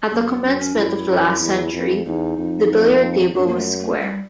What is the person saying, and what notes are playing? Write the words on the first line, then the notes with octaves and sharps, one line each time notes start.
At the commencement of the last century, the billiard-table was square.
F#2 A#3
B3
F#2 C#4
C#4
F#2 E4
F#2
E2
F2
E2 D#4
F2
F2
F#2 D4
A#3
A3
A3
G3